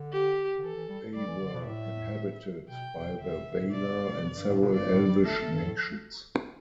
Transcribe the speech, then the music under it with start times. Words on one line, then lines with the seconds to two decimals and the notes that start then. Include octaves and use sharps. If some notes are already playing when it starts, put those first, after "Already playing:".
They were inhabited by the Valar and several elvish nations.
Already playing: D3
0.13 G4
0.59 D3
0.63 E3 A4
0.76 E3
0.89 G3
1.15 G3 D5
1.27 E3
1.40 D3
1.53 B2
1.66 A2 E5
2.68 B2 G5
2.95 B2
3.20 D3 E5
3.33 B2
3.46 D3
3.58 A2
3.71 B2 D5
3.88 D3
4.06 B2
4.22 B2
4.35 G2
4.48 A2
4.61 B2
4.74 G2 D5
4.91 A2
5.08 G3
5.25 A3 A4
5.39 A3
5.51 G2
5.64 A2